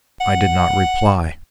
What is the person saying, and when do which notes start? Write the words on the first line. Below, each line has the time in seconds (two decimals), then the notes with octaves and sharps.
I did not reply.
0.20 F#5